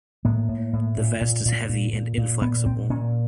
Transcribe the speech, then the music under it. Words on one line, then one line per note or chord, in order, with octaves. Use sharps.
The vest is heavy and inflexible.
A2 A#3
A2
A2
A#2
A#2
A#2
A#2
A#2
A#2
A#2 B3
A#2 C4
A#2 C#4